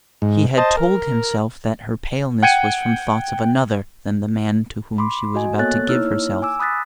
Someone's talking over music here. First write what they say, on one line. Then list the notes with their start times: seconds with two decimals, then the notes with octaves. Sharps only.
He had told himself that her paleness was from thoughts of another than the man to whom she was about to give herself.
0.22 G#2
0.58 C5 D#5 A5
0.77 A#4
2.43 F#5 G5 G#6 C#7 D#7
4.98 B5 C6 D6
5.35 F#4 D#5 G#5
5.58 A#3 B3 A4 C#5 F#6 A6
5.89 A#3 D#4 E4 C#5 E6 F6
6.42 G#5 D6 E6
6.60 B5 D#6 F#6 A6 B6